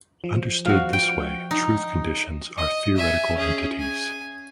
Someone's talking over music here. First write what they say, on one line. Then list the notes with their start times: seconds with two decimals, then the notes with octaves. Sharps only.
Understood this way, truth conditions are theoretical entities.
0.24 F3
0.66 F3 F#4 F5
0.93 G5
1.51 D#4
2.57 D#5
2.97 E5 G#5
3.36 C#4 G#4
3.79 G#5